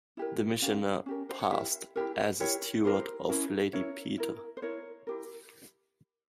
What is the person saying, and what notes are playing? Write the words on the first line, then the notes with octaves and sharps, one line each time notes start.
The missioner passed as a steward of Lady Petre.
E4 G4 A#4
C#4 G4 A#4 F5
C#4 G4 A#4
C5
C#5
E4 G4 A#4 E5
E4 G4 A#4
E4 G4 A#4 C#5
E4 G4 A#4 C5
C#4 E4 A#4
C#4 E4 A#4 C#5
E4 A#4
C5
E4 A#4 C#5
E4 G4 A#4